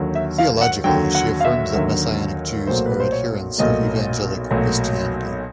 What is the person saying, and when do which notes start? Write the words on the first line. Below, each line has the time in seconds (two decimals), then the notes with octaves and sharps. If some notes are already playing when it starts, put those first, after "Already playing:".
Theologically, she affirms that Messianic Jews are adherents of Evangelical Christianity.
Already playing: D#2 D3 F#3
0.15 E5
0.38 F5
0.61 F#5
0.84 D#2 D3 F#3 G5
1.15 F#5
1.41 F5
1.45 E5
1.75 D#2 D3 F#3
2.67 B1 A#2 F#3 A3 C5
2.86 B4
3.00 C5
3.12 C#5
3.58 B1 A#2 F#3 A3 D#5
4.51 B1 A#2 F#3 A3